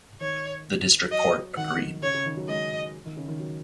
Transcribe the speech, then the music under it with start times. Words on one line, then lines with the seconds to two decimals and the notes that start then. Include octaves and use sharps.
The district court agreed.
0.20 D#3 C#5
1.11 F#3 D#5
1.57 D#3 F#5
2.03 C#3 C#5
2.14 C#3
2.26 D#3
2.37 F#3
2.48 G#3 D#5
3.06 D#3
3.17 C#3
3.28 D#3
3.40 F#3